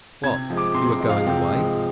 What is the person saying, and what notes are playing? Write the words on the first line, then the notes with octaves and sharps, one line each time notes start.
What! you are going away?
C3 G#6
F3 G#3
D6
C3 C6
C6
F3 G#3
F5
C3 G5
F3 G#3